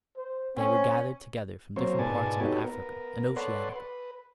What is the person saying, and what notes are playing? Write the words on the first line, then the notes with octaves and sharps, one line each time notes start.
They were gathered together from different parts of Africa and Oceanica.
C5
C4 C#4
F#3 A#3 C4 C5 C#5
G#2 B2 B3 D5 G#5 A5
D#4 F#4 G4 A4 B4 C#5
B3 A#4
A4 B4 C#5 D5 F#5 C6
B4